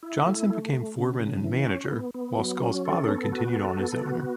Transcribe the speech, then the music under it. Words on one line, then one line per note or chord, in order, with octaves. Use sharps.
Johnson became foreman and manager, while Scull's father continued on as owner.
E4
A3
A3
A3
C#3
C#3
E3
C#4
B3
B3
F#3
C#4
A4
B3
F#4
A4
B3
F#4